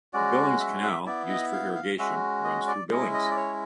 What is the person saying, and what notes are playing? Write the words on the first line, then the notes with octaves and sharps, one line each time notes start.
The Billings Canal, used for irrigation, runs through Billings.
G#3 C#4 F#4 D5
E5
E5
B3 E4 D5
D#5
F5
F5
G#3 C#4 F#4 E5
D#5
D5
G#3 C#4 E4 D#5
D#5
D5
C#5